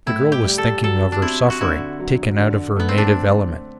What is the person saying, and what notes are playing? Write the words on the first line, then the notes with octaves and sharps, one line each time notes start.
The girl was thinking of her suffering, taken out of her native element.
A2 E4
G4
G3
A4
F#3 A4
D4
C4 E4
F#4
D3 E4
F#3
D3
A3 B3
C4
D4